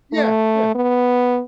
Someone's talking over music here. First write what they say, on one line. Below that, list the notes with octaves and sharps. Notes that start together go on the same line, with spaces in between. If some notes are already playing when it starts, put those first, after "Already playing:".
Yeah, yeah.
A3
B3